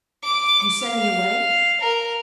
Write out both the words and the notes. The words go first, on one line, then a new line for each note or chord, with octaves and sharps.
"You send me away?"
D6
F5
A#4